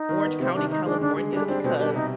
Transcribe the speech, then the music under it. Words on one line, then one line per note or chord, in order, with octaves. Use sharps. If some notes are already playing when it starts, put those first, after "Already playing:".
Orange County, California, because
Already playing: D#4
D#3
B3
C3 C4
D#3 D4
D#3 D#4
G#3 D4
D3 D4
G#3
G3 D4
C4 D4
B2 C4
G3 D4
C3 D#4